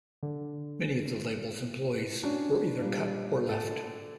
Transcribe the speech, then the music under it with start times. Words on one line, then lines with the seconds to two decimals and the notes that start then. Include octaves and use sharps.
Many of the label's employees were either cut or left.
0.23 D3
2.23 C#4 D4 F#4
2.81 A#2 G3
3.49 A2 A4
3.63 D3